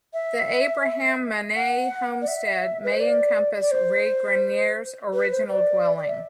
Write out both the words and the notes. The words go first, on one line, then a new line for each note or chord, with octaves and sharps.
The Abraham Manee Homestead may encompass Regrenier's original dwelling.
E5
F#5
D5
E5
B4
C5
D5
D5
C5
B4
C5
D5
D5
E5